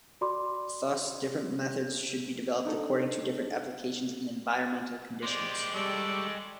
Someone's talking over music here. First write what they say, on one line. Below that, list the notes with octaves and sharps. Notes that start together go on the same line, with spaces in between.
Thus, different methods should be developed according to different applications and environmental conditions.
F#4 D5 B5 C6 D6
D4 D#4 A4
G#3 G4 C5 D5 D6
G3 A4 D5 C#6